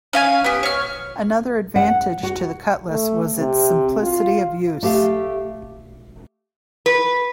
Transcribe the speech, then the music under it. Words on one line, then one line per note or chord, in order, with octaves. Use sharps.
Another advantage to the cutlass was its simplicity of use.
C#4 F5 G#5
B3 G4
C#5 F6
F#5
F#4
A3
C3
F4
A3 G4 E5 F5
B4